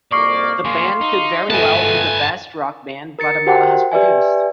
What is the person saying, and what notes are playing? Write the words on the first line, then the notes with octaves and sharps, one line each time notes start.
The band could very well be the best rock band Guatemala has produced.
C2 F2 A#3 D5 C#6 D6 C7
A#3 G#4 F5 C6
D#4
G#3 A3 B3 F4 A4 B4 G#5 A5
A#4 A6 C#7
F#4 G4 A#4 C5 F#5 G5
G4 B4 D5 E5 G#5